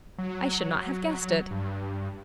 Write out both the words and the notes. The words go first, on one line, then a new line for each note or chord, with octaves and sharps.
I should not have guessed it.
F#3
G2